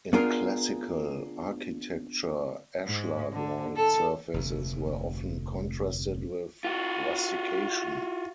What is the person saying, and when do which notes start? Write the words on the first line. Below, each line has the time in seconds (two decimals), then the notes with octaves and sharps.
In classical architecture, ashlar wall surfaces were often contrasted with rustication.
0.13 B3 D4 F4 G#4 A#4
2.85 G#2
3.32 D3
3.76 A4
4.34 F1 D2
6.64 F4 F#4